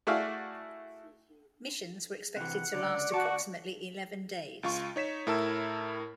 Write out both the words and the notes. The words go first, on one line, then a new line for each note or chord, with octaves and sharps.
Missions were expected to last approximately eleven days.
A3 E4 F#4 G#4 D5 F5
C3 E3 F#5
C#2 D3 D5
D2 F#4 A5 C#6
C#2 F4 C#6
D#4 C#5 B6 E7
A2 E4 A#4 A5 E6